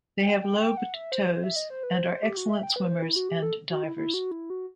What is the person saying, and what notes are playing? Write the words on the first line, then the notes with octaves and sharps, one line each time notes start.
They have lobed toes and are excellent swimmers and divers.
G5
G5
G5
F#5
E5
C5
C5
E5
D#5
C5
B4
C5
C5
G4
F#4
E5
G5
B4
C5
E4
F#4
G4
A4
F#4
E4
E4
F#4
E4
F#4